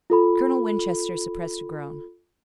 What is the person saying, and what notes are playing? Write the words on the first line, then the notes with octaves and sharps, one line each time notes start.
Colonel Winchester suppressed a groan.
F4 A4 B5